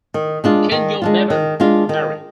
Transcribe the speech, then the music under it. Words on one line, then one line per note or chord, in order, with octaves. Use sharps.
Kenyon never married.
D#3
G#3 D4 F4
D#3
G#3 D4 F4
D#3
G#3 D4 F4
D#3